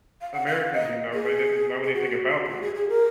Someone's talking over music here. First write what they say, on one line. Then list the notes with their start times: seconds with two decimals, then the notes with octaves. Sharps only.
Americans, you know, they didn't know anything about them.
0.22 F5
0.33 F#5
0.46 F5
0.74 D#5
1.14 G#4
1.83 G#4
1.94 F#4
2.30 F#4
2.44 G#4
2.48 F#4
2.62 G#4
2.75 G#4
2.89 A#4